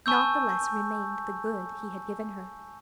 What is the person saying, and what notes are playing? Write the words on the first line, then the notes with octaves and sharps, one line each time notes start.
Not the less remained the good he had given her.
G#5 A5 C#6 E6 G6